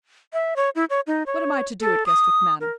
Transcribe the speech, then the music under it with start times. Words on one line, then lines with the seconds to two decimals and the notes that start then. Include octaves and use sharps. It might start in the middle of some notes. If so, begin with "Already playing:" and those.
What am I to do at Guestwick Manor?
0.33 E5
0.56 C#5
0.75 E4
0.90 C#5
1.07 D#4
1.26 C#5
1.81 A4
2.06 D#6
2.60 A#4